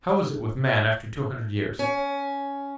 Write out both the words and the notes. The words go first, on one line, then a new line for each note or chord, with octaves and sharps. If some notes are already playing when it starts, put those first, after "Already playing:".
How is it with man after two hundred years?
C#4